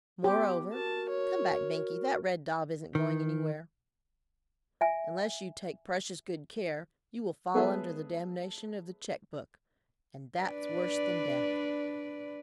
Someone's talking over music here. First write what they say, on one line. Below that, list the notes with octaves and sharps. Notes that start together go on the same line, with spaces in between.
Moreover,--Come back, Binkie: that red daub isn't going anywhere,--unless you take precious good care, you will fall under the damnation of the check-book, and that's worse than death.
B3 G4 C6 D6
F#4 A#4 A5
C#5
D#3
E5 G#5
G#3 B3 G#4 A4 C#5 E5
D4 B4 D5